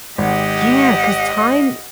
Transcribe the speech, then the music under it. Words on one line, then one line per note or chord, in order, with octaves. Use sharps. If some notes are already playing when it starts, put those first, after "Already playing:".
Yeah, 'cause time
G#1 G4 D#5 F#5